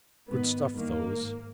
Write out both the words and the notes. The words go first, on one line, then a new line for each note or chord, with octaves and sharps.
"Good stuff, those."
G#2 D#3 B3
G2 D#3 A#3
G#2